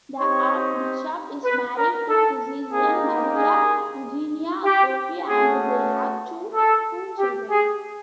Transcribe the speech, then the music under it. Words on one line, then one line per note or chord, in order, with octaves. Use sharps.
The archbishop is married to physician Maria Eugenia Akrofi and they have two children.
C4 D#4 G4 C#5
B4
A#4
A4
A#3 D#4 G4 G#4
G#4
G4
A3 C#4 F#4 G#4
A4
G4
G#4